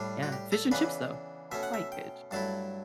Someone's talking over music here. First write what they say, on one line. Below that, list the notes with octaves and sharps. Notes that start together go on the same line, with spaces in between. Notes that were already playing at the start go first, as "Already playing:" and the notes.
Yeah. Fish and chips, though. Quite good,
Already playing: A2 G3 D4
F#4
G4
A4
C#3 E3 B3 D4 B4
B2 A3 C#4 E5
F#5
E5
G5
G2 F#3 A3 E4 A5